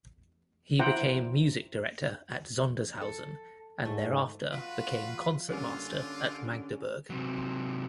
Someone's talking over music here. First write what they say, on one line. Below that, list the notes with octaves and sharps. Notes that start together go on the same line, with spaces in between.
He became music director at Sondershausen, and thereafter became concertmaster at Magdeburg.
E4 C5 F#5 G5 A#5
A4
G#2 A3
F4 F#4 B4
D3 G3 A#3 C#4 F4 D5
C3 F#3